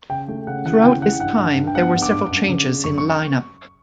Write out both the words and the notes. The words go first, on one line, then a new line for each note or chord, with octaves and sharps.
Throughout this time there were several changes in line-up.
C#3 G5
A3
C#3 F#5
E3 F#5
C#3 G5
E3 F#5
G2 F#5
G2
G2
G5
B3 F#5
G2
D6
G2
F#2
C#3
C#3
F#2 C#6
C#6